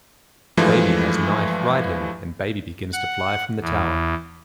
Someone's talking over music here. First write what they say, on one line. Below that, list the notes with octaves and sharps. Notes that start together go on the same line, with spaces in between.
Baby has Knight ride him and Baby begins to fly from the Tower.
G2 E3 F3 G#3 A3
F#5
E2